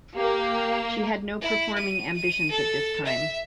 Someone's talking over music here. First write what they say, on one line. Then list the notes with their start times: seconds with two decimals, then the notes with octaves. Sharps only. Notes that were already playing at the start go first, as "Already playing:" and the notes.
She had no performing ambitions at this time.
0.16 A#3 G4
1.41 E4
1.78 D#7
2.17 D#7
2.51 A4
3.05 E5